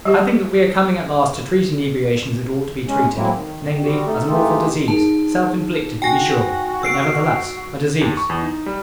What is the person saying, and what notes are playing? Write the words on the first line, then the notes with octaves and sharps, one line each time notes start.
I think that we are coming at last to treat inebriation as it ought to be treated, namely, as an awful disease, self-inflicted, to be sure, but nevertheless a disease.
G3 G4
G#3 C#4
A2 F#3 G#3 A#3 C4 E4
D#3
G3 C4 F#4 G4
A3 D#4 A4
G#3 A3 D#4 F4 G4
D#4 G#4 A#4 A5
F#4 G5 G#5 A#6
E6 C7 D7
D#2
C#6
E2
D#4
G3